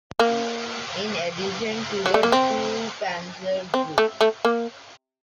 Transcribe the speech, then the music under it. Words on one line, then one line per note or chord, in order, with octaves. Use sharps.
In addition to the two panzer groups.
A#3
F#3
A3
A#3
C4
C4
A3
A3
A#3